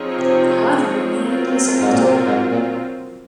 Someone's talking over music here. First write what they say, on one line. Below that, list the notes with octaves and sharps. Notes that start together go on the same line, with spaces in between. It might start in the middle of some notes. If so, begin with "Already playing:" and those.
However, in the end he decided to take part.
Already playing: F3 C4 D#4 G#4 C#5
C3
F#3 C4 F4 A#4
G#2
A#2
C3
G#2
A#2